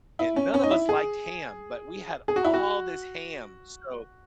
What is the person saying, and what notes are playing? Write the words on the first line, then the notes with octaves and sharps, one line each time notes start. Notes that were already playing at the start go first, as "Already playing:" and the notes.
and none of us liked ham, but we had all this ham, so,
E4
C#4
C#4
D#4
E4
G#4
G#4
F#4
E4
F#4